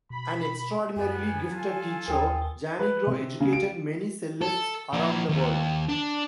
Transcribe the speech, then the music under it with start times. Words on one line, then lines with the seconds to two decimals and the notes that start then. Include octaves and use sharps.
An extraordinarily gifted teacher, Janigro educated many cellists around the world.
0.10 B2 B5
0.96 F#2 G3 B3 G#5
1.49 F#3 F4 A4 A5
2.08 D#2 A#4 G5 D#6
2.79 B4
3.07 C3
3.40 C#3
3.53 D7
4.42 A4
4.93 F3 A#3
5.29 D#2
5.89 D4